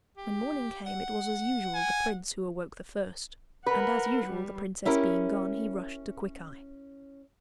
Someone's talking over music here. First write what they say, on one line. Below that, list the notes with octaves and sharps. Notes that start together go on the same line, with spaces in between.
When morning came, it was as usual the prince who awoke the first, and as usual, the princess being gone, he rushed to Quickeye.
G4
F#5
G#5
A#4 B4 F#5
G3
C#4 E4 G4 A#4